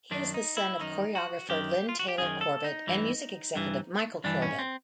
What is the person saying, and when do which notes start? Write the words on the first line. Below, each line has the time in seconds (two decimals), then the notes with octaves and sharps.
He is is the son of choreographer Lynne Taylor-Corbett and Music Executive Michael Corbett.
0.11 F#2 D#3 D4
0.34 D#4
0.57 E4
0.80 F#2 D#3 D#4
1.15 F#4
1.49 F#2 D#3 G4
1.89 F4
1.99 F#4
2.08 G4
2.18 F#2 D#3 G#4
2.41 A4
2.64 D#4
2.87 G2 E3
3.55 G2 E3
4.24 G2 E3 D4
4.42 C#4
4.59 C4